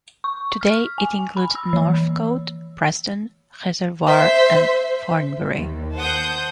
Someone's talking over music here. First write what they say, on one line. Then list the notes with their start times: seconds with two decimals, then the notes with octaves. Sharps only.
Today it includes Northcote, Preston, Reservoir and Thornbury.
0.24 C#6
0.61 F6
0.98 G#5
1.37 B5
1.55 E6
1.73 E3
4.07 C5 E5
5.55 D#2
5.96 C5 F#5 A5 D#6 G6